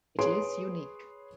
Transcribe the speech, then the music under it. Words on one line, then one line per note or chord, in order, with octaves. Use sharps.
It is unique.
G#4 B4 C#5 C6 D7